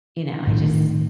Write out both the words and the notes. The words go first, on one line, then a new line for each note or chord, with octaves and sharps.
you know, I just
A2 D#3